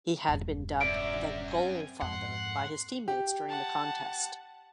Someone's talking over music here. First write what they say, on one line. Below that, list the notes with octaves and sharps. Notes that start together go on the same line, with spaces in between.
He had been dubbed 'The Golfather' by his teammates during the contest.
E1 G2
F#2 D5 E5 D7
C4 G#5
F2 G#2 F#5 C6
G4
F#5 A5